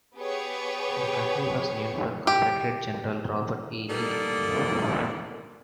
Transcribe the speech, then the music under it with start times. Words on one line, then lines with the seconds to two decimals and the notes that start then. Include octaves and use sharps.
The county was named for Confederate general Robert E. Lee.
0.17 B3 G4 G#4 B4 C#5
2.27 G4
3.89 G3 A#3 B3 D4 D#4 A4